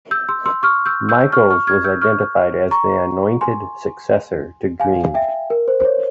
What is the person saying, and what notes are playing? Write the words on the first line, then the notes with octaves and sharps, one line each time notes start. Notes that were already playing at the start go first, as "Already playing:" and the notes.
Michaels was identified as the anointed successor to Greene.
E6 G6
C6 E6
C6 E6
C#6 F6
E6 G6
E6 G6
C#6 F6
C#6 F6
F6 G#6
E6 G6
C#6 F6
A#5 C#6
G#5 C6
F5 G#5
E5 G5
A#4
C5
C5
C#5